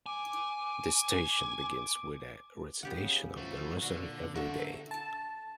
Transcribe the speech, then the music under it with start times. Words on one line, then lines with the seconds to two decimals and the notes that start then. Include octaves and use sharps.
The station begins with a recitation of the rosary every day.
0.06 G#5 D6
2.83 C#3 B3 G4 F#5
3.37 E3 F3 A3 F#4
3.82 A#2 D3 F#4
4.35 D3 F#4 A#4 E5
4.91 A5